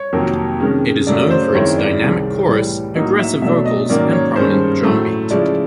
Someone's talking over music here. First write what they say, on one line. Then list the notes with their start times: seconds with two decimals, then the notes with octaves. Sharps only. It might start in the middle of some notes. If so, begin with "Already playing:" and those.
It is known for its dynamic chorus, aggressive vocals, and prominent drum beat.
Already playing: C#5
0.13 F2 C3 D#3 F#3 A#3
0.60 C3 D#3 G#3 C#4
1.06 F#2 C#3 F#3 A3 D5
1.30 C5
1.55 F#2 D#3 G#3 C4 E4 C#5
1.78 D5
2.01 C2 C3 D#3 G#3 C4
2.48 A2 E3 G3
2.95 A2 F#3 A#3 D#4 D#5
3.19 E5
3.42 B2 F#3 A3 D4 E5
3.66 D#5
3.89 G#2 D#3 F#3 A#3 C#4 D5
4.13 C#5
4.36 G2 D#3 G#3 C#4 C5
4.83 A2 F#3 A3
5.30 C#3 F3 G#3 C#4 E4 D5